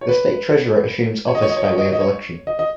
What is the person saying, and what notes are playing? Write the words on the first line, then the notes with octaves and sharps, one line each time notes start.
The state treasurer assumes office by way of election.
C#5
B4
C#5
D#5
C#5
D#5
C#5
D#5
C#5
D#5
C#5
D#5
C#5
D#5
D#5